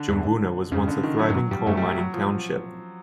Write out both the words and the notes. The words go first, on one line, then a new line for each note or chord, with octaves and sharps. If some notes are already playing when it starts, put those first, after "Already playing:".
Jumbunna was once a thriving coal mining township.
Already playing: D3
E2
F2 C#3
D3
D#3
F#3
G2
F#2 F#3
G2 G3
F#2 A3
G3
F#3
F#3
F3